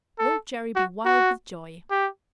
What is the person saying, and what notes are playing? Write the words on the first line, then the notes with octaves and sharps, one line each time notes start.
Won't Gerry be wild with joy?
A4
F#4
F#4
G4